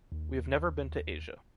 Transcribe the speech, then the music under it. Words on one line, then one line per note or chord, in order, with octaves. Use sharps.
We have never been to Asia.
D#2